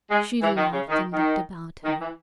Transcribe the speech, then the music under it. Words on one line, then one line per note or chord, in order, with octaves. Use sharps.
She laughed and looked about her.
G#3
E3
D#3
C#3
D#3
D#3
D#3
E3